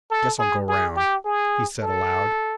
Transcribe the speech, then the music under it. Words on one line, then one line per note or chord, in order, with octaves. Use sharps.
Guess I'll go round,' he said aloud.
A4
G#4
G#4
G4
G#4
A4